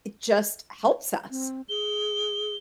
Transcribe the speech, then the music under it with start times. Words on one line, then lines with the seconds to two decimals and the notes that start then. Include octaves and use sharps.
it just helps us.
1.31 C4
1.69 G#4 G7